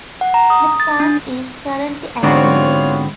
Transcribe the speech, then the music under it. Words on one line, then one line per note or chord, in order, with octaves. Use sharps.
The plant is currently active.
F#5
A#5
D#6
A6
D4
G#2 D3 B3 C4 F4 F#4 C5 C#5